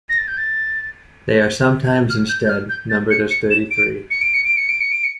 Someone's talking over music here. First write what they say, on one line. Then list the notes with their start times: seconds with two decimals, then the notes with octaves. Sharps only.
They are sometimes instead numbered as thirty-three.
0.09 A#6
0.18 A6
0.28 G6
0.37 A6
2.10 F6
2.29 G6
2.45 G6
2.49 F6
2.69 G6
2.90 A6
3.11 C#7
3.31 C#7
3.51 E7
3.71 D7
4.11 C#7
4.22 D7
4.34 C#7
4.45 D7
4.57 C#7
4.69 D7
4.81 C#7
4.92 D7
5.04 C#7